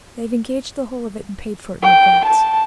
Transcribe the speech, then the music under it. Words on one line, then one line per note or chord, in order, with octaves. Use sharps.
"They have engaged the whole of it and paid for it in advance."
G5
A5